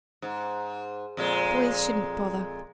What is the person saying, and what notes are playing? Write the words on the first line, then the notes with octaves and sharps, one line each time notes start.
Boys shouldn't bother.'
G#2
F2 A#2 G#3